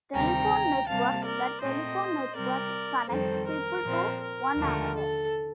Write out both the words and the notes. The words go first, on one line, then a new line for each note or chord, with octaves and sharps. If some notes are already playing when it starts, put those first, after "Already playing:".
Telephone network: the telephone network connects people to one another.
D2 C3 D#3 G3 G5 A#5
C3 G3 A#3 F5 A5
A#4 D5
A#2 A3 C4 C5 D#5
C3 G3 C4 A#4 D5
F2 D#3 G3 C4 A4 C5
A#4
A#2 F3 C4
A#4
D#2 D3 F3 A3
A4